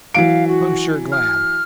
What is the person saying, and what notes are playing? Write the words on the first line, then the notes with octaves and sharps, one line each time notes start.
I'm sure glad.'
E3 F#3 F5 D7
F#4
F6